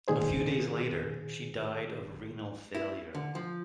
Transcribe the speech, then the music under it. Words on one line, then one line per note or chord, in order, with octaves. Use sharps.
A few days later, she died of renal failure.
A#2 D#3 G#4 C5
E4
D3
F3